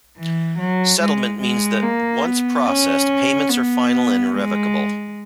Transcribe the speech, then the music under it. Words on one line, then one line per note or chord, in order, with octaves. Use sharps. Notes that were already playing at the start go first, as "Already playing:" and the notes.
"Settlement" means that once processed, payments are final and irrevocable.
E3
F#3
G#3
G#3
A#3
B3
C#4
B3
G#3